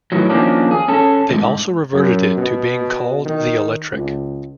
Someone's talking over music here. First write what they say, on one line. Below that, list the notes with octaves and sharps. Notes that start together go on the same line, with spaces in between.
They also reverted it to being called the Electric.
A2 D#3 E3 F#3
D#3 F3 A#3 C#4 D4
G#4
C#4 A4
E2 G#2
F#2
B2
D#3
C#2